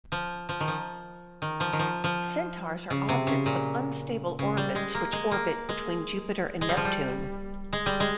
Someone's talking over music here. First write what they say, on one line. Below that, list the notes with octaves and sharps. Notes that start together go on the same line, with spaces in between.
Centaurs are objects with unstable orbits which orbit between Jupiter and Neptune.
F3
F3
D#3
F3
D#3
F3
D#3
F3
F3
C#3
C3
C#3
A#2
C#3
G3
G#3
A#3
G#3
A#3
G#3
G#3
G3
F3
G3
G#3
G3
G#3